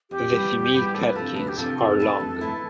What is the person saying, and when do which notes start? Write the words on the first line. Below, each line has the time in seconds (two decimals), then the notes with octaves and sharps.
The female catkins are long.
0.11 F2 G4
0.32 E3 G3 B3
0.53 F2
0.74 E3 G3 B3
0.94 D2 A4
1.06 B4
1.15 C3 F3 A4
1.36 D2 B4
1.48 G4
1.57 C3 F3 A4
1.78 F2 A4
2.00 E3 A3 E4
2.20 F2
2.41 E3 A3 E4